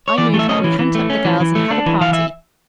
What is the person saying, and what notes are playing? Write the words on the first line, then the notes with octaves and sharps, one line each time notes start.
I move that we hunt up the girls and have a party.
C#5
E3 D5
A3
E5
C#4 D#5
E3
E3
A3
C#4
E3
E3
A3
D4
E3
E3 F5
E5